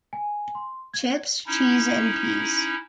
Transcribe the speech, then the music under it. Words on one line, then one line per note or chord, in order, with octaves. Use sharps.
Chips, cheese and peas.
G#5
C6
G#6
C#4 D#4 E4